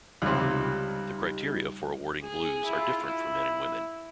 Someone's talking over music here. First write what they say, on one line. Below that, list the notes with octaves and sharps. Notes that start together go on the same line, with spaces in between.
The criteria for awarding blues are different for men and women.
C#2 C3 G3 D#4
G#4
E4 F4
E4